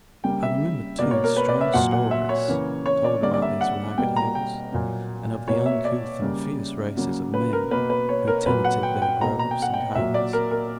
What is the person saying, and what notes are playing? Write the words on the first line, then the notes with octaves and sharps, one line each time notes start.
I remembered, too, strange stories told about these Ragged Hills, and of the uncouth and fierce races of men who tenanted their groves and caverns.
C#3 G3 A#3 G5
E5
B2 A#3 D5
C#5
A#4
B4
D5
E5
A#2 F#3 A#3 F#5
F#5
E5
C#5
C#3 E3 A#3
C#5
D5
D3 G3 A#3 D5
D5
E5
F#5
B2 G3 A#3 G5
A#5
G5
A#2 F#3 A#3
B2 A#3 C#5
E5
D5
C#3 G3 A#3
C#3 F#3 A#3
B4
A#4
B2 A#3 B4
B4
C#5
A#4
A#2 F#3 A#3 B4
F#5
G5
G5
B2 A#3 A#5
A#5
G5
F#5
G5
A#2 F#3 A#3 E5
D5
A#4
A#4